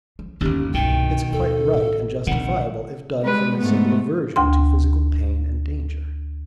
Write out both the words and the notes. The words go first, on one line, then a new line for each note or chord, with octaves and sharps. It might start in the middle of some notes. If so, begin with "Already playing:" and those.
It's quite right and justifiable, if done from a simple aversion to physical pain and danger.
F3
G1 D#2 C#4 G4
C2 G2 B2 D#3 G5
D#2 A4
A1
A#1 C3 D#3 F#5
G3 G#3 B4
G#2 A3 B3
D2 G5 C6